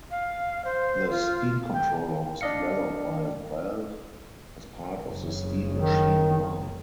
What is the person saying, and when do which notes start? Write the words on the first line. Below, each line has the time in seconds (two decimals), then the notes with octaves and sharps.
The Steam Controller was developed by Valve as part of the Steam Machine line.
0.11 F5
0.65 C5
1.10 F4
1.73 G5
2.41 D4 D5 D#5 F5 C#7
5.02 F#1 C#3
5.76 D#3